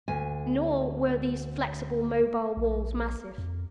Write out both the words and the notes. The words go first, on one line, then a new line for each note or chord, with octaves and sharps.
Nor were these flexible, mobile walls massive.
D2 G#5
A#1
F2